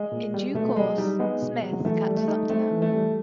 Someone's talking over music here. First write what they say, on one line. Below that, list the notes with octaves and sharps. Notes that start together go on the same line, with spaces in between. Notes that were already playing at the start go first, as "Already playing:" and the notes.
In due course, Smith catches up to them.
Already playing: G#3
A#2
G3
B2 A3
F#3 G#3
G3 D#4
G#3 B3
B2
F#3
E3 A3
G3
A3
D#4
A3 C4
E3
A3
G3